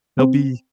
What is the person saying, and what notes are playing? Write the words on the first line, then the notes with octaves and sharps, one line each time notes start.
He'll be
C4